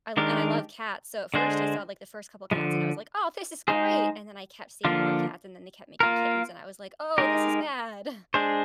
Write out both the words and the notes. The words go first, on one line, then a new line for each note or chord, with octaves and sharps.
I and I love cats so at first I saw, like, the first couple cats and I was like, "Aw, this is great," and then I kept seeing more cats and then they kept making kittens and I was like, "Oh, this is bad."
D#3 G#3 D4 G4 A#4
D3 G#3 D4 G#4 C5
D3 F3 G#3
G#3 D#4 G#4 C5
D3 F3 A#3 D4 F4
A#3 F4 A#4
G#3 D#4 G4 A#4
G#3 D4 G#4 C5